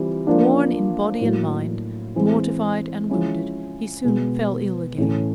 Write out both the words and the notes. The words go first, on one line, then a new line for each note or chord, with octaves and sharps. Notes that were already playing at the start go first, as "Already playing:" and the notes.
Worn in body and mind, mortified and wounded, he soon fell ill again.
Already playing: E3 G3 C4 F4
F3 A#3 D4
A2 F#3 A#3
E3 G#3 C4
F3 G#3 C#4 E4
B2 G#3 B3
A2 E3 A3 C#4